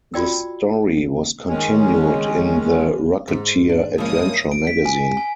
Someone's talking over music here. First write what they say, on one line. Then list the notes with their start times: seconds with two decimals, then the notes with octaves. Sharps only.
The story was continued in the "Rocketeer Adventure Magazine".
0.14 F4 F#4 D5 G5 E6
1.48 D#3 G#3 C#4
3.28 G#2
3.69 D4
3.98 F3 G#3 A#3 C#4 E4 D#6
4.52 D7
4.67 B6
4.86 G#5
5.17 G#5